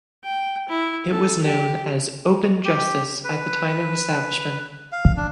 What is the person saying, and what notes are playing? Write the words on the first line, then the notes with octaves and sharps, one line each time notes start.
It was known as Open Justice at the time of establishment.
G5
E4
A4
G4
G4
B4
F5
D4